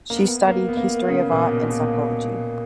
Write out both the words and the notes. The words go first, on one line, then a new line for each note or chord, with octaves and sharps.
She studied history of art and psychology.
A#3
B3
A#3
B3
A#3
C#3
A#2
B2
A#2
B2